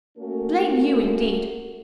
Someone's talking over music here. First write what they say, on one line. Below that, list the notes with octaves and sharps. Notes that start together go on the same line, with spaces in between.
Blame you, indeed!
A3 A#3 C#4 F#4 A4 A#4